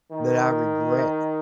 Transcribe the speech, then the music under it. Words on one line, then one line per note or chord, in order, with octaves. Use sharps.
that I regret."
D#3